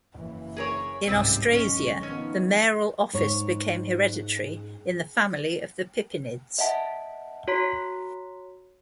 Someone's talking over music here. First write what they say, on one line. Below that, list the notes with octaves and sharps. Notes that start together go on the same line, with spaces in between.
In Austrasia, the mayoral office became hereditary in the family of the Pippinids.
F#1 E3
G#4 A#4 C#5
G#1 C#2 A2 C3 G3 C4
B1 G#3 C#4
D#3 F3 B3 C#4
G#2 C#5
D#5 E5 F#5 A5
F#4 C#5 A#5 C6 B6